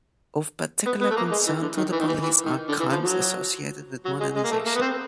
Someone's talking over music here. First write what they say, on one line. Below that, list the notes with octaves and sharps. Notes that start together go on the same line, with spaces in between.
Of particular concern to the police are crimes associated with modernization.
B3
B3
A3
A#3
G#3
E3
D3
D#3
E3
D#3
E3
E3
D#3
D3
E3
F3
F#3
F#3
G#3
G#3
A#3
A3
A#3
B3
C4